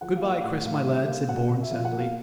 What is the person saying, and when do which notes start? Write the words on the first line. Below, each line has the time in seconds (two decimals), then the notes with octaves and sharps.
"Good-bye, Chris, my lad," said Bourne sadly.
0.01 F3 F#5
0.16 F5
0.22 A#3
0.30 F5
0.44 A2 F#5
0.65 A2 F5
0.86 G3 E5
1.07 A#3 F5
1.28 B2 F#5
1.50 B2
1.62 E5
1.71 F3 F5
1.85 F#5
1.92 A#3
1.99 F5